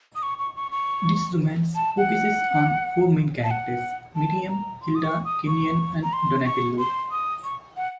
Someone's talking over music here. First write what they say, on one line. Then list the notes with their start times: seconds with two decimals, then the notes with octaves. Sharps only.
This romance focuses on four main characters: Miriam, Hilda, Kenyon, and Donatello.
0.15 D#6
0.23 C#6
0.39 C#6
0.56 C#6
0.72 C#6
1.75 A5
1.97 F#5
3.44 A5
3.51 F#5
4.16 A5
4.49 A#5
4.82 C6
4.95 D#6
5.04 C#6
5.25 D#6
5.47 C#6
6.03 A#5
6.13 C6
6.46 C#6
6.78 C6
7.11 D#6
7.44 C#6
7.77 F#5